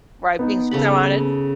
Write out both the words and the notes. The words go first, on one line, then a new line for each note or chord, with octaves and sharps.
Right, being so on.
B3 D#4
C#3 A4 B5